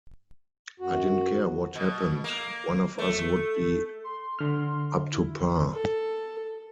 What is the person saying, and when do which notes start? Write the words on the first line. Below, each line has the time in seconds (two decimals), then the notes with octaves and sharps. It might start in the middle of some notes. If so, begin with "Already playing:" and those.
I didn't care what happened-one of us would be up to par.
0.80 F#2 F#4
1.75 B2
2.24 A#3
2.98 A3
4.04 C6
4.39 D3 F6
5.12 E4
5.74 A4